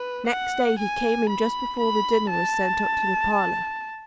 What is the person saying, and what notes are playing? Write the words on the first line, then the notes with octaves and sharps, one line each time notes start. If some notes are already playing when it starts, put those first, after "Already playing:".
Next day he came in just before the dinner was sent up to the parlour.
Already playing: B4
F#5
G#5
B5
B5
A5